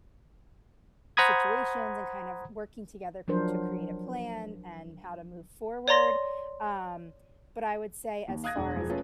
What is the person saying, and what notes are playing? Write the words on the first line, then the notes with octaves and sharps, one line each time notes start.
situations and kind of working together cr to create a plan and how to move forward. Um, but I would say as far as
C5 F#5 A#5 B5 D#6 G#6
F3 F#3 D4 A#4 C5
C#5 D5 A#5 C6 A#6
D#2
F5 D#6 F#6 G#6 A#6
E1 D4
E1 F3
A3 C#4 F4 A4 B4